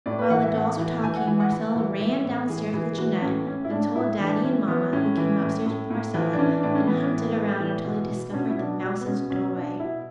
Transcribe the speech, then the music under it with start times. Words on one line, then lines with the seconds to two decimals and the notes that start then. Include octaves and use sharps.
While the dolls were talking, Marcella ran down-stairs with Jeanette and told Daddy and Mamma, who came up-stairs with Marcella and hunted around until they discovered the mouse's doorway.
0.06 A2 D5
0.19 B4
0.30 E3 F#5
0.42 E5
0.55 A2 F#5
0.79 E3
1.03 E3 G#5
1.16 F#5
1.27 E3 G#5
1.40 F#5
1.52 E3
1.76 E3
2.00 E3 E5
2.25 A2
2.49 E3 G#4
2.74 E3 G#4
2.93 G#4
2.98 E3 F#4
3.22 A2 C#4
3.47 A2 C#4
3.65 E4
3.71 A2 D4
3.95 A2 E4
4.20 E3 D4
4.44 E3 C#4
4.68 E3 B3
4.93 A2 C#4
5.17 E3
5.41 A2
5.66 A2
5.90 A2
6.14 E3
6.33 D4
6.38 E3 C#4
6.51 D4
6.63 A2 D4
6.75 C#4
6.87 E3 B3
7.12 A2
7.36 A2
7.60 E3
7.84 B2
8.09 B2
8.29 D4
8.33 B2 C#4
8.50 E4
8.58 B2 D4
8.82 B2 F#4
9.01 B3
9.06 B2 C#4
9.30 B2 C#4
9.55 B2 D4
9.79 B2 E4